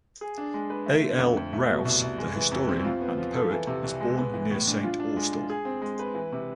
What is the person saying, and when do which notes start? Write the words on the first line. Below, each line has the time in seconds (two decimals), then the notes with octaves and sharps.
A. L. Rowse, the historian and poet, was born near Saint Austell.
0.21 G#4
0.38 D4
0.54 G#3
0.70 B4
0.86 A3
1.04 D3
1.19 F2
1.37 F2
1.53 A3
1.69 B2
1.85 C2
2.02 C2
2.18 G#3
2.36 E3
2.52 F2
2.69 C4
2.84 F4
3.01 B3
3.18 F3
3.34 A4
3.51 E3
3.67 C3
3.84 C2
4.01 G#3
4.18 B3
4.34 E3
4.51 A2
4.67 D4
4.84 F4
5.00 D4
5.17 G#3
5.32 G#3
5.50 G#4
5.65 C4
5.82 G#3
5.99 B4
6.15 E3
6.32 C3